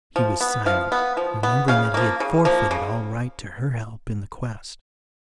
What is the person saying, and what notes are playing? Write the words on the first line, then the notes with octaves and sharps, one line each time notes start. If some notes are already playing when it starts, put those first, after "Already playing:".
He was silent, remembering that he had forfeited all right to her help in the quest.
F3
B3
F3 F5
B3
F3
B3
C#3 F5
F3 A#3
C#3
F3 A#3
C#3